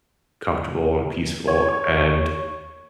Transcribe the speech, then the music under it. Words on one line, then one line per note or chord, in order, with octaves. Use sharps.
comfortable and peaceful, and
C#5